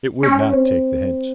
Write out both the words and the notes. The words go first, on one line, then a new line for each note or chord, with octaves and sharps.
It would not take the hint.
C#4
C4